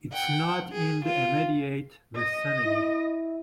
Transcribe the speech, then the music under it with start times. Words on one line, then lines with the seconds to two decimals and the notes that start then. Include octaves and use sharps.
It's not in the immediate vicinity.
0.13 F#5 G5
0.73 G#4
1.04 F4
2.16 D#5 A#6
2.65 E4